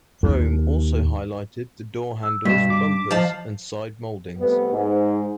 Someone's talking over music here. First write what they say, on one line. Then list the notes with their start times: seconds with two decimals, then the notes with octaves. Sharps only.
Chrome also highlighted the door handles, bumpers, and side mouldings.
0.23 D#2
2.23 E6
2.45 G2 B2 B6 E7
2.70 D6
3.11 F3 D#5 F5 A5
4.39 C3 G3 A3 B3
4.72 G#2